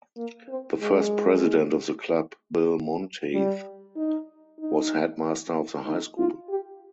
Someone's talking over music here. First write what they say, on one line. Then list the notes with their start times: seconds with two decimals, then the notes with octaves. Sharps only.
The first President of the club Bill Monteith was headmaster of the High School.
0.17 A#3
0.49 C4
0.80 G#3
3.33 G3
3.96 D#4
4.59 D#4
5.86 D#4
6.18 F4
6.49 G4